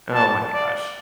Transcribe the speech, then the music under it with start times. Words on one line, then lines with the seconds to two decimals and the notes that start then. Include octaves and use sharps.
Oh my gosh.
0.14 A5
0.53 D5